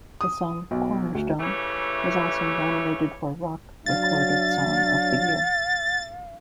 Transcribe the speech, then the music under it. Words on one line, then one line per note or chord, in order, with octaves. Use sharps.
The song "Cornerstone" was also nominated for Rock Recorded Song of the Year.
D#6
B1
D2
C#3 E3 G3 A3 C#5
F#3 D4 F5 A6